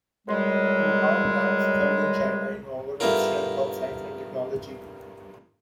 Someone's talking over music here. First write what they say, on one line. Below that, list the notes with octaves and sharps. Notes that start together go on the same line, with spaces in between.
Wuhan ranks third in China in overall strength of science and technology.
C#2 F#2 G3 G#3
G2 A3 B3 E4 F4 A#4